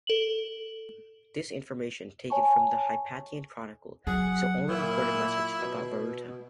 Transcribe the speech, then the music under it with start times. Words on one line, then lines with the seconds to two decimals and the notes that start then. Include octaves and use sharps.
This information, taken from the Hypatian Chronicle, is the only recorded message about Voruta.
0.07 A4 F#7
2.30 C#5 G#5 A5 C#6
4.07 F#3 G#4 F#5
4.68 A#2 E4
5.59 B2